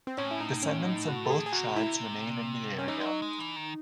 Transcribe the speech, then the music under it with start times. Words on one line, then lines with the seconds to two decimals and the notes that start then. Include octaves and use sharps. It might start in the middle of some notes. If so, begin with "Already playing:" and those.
Descendants of both tribes remain in the area.
0.07 C4
0.18 A2 C#4
0.31 E4
0.40 D#4
0.62 C#4
0.85 D#4
1.08 F#4
1.25 A4
1.30 G#4
1.46 G#4
1.52 C3 F#4
1.76 E4
2.79 C#4
2.88 E3 D#4
3.00 G#3
3.05 F#3
3.22 G#3
3.39 E3
3.56 D#3